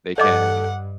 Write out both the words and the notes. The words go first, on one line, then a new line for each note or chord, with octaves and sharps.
they can
G2 A4 D5 D#5 F#5 D6